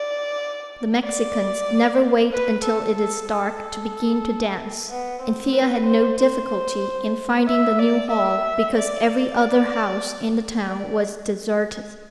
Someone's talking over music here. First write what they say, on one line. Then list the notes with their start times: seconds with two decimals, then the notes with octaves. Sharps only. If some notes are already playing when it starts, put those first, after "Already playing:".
The Mexicans never wait until it is dark to begin to dance, and Thea had no difficulty in finding the new hall, because every other house in the town was deserted.
Already playing: D5
1.04 D5
2.32 B4
2.64 A4
2.96 A4
3.29 A4
3.60 A4
4.89 B3
5.22 C4
5.53 B4
5.86 C5
6.18 C5
7.47 E5
7.79 D5
8.10 E5
8.75 D5
9.07 D5
10.67 D5